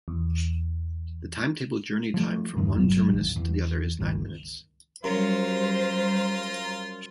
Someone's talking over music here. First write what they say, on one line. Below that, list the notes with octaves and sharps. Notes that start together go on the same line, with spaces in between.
The timetabled journey time from one terminus to the other is nine minutes.
E2
F3 A3
E2 G2 D#3
G1 C2 F#3
A1 D#2
E2
G1 C#2 D#3
F#2 G3 F4 C5 A#5